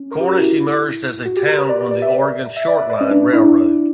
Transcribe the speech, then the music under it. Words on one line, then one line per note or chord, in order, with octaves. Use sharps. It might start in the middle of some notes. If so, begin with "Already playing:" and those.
Cornish emerged as a town on the Oregon Short Line Railroad.
Already playing: C#4
A#4
G4
F#4
E4
F#4
G4
A#4
B4
D5
D5
D5
E5
E5
D5
B4
B4
C#4
D4
D4
E4
D4